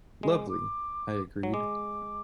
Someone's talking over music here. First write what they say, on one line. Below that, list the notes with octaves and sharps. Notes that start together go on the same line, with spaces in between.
"Lovely," I agreed.
G#3
D6
F#3
G#3 D6